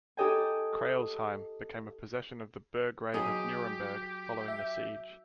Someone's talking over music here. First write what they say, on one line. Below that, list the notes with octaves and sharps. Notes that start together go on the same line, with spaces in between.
Crailsheim became a possession of the Burgrave of Nuremberg following the siege.
D#4 G4 A4 D#5 G5 G#5
F#3 D#4 G4 G#4
E5